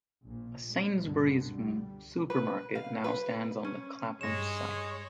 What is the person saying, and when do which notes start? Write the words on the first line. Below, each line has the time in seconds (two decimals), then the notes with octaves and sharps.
A Sainsbury's supermarket now stands on the Clapham site.
0.23 A#1 A#2
0.68 G#3
1.00 C#2 G2 B2 D3 B3
1.47 G3
2.30 B4
2.75 F5
3.04 B4
3.65 C#4
4.21 G2 G#3 C#5 A#6 E7